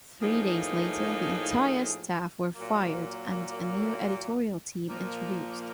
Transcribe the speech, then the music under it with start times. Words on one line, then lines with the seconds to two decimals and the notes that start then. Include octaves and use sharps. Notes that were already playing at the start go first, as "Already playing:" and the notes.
Three days later the entire staff were fired and a new editorial team introduced.
0.21 A2 F3 A#3 D#4 G#4
2.55 A#2 F#3 A#3
4.88 A#2 F3 A#3